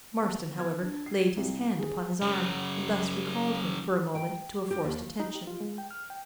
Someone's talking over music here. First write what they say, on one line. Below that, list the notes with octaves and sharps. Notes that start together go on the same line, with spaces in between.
Marston, however, laid his hand upon his arm, and thus recalled him, for a moment, to a forced attention.
B3
G#6
D4
C7
C2
G#4
C#3 F#3
G5
G4
D#2
D#4
G4
F4
G#3
G5
F6
G5